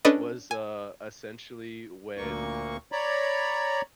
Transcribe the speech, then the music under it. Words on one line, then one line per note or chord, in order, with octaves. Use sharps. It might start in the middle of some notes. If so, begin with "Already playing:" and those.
was, uh, essentially when
C#4 D4 A4 B4 D#5
G#5
D2 A#2 A#3 C#6
C#5 D5 A#5 B5